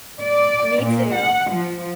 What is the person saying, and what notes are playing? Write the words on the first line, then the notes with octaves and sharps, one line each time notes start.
Me too.
D5
A#2
F#5
F3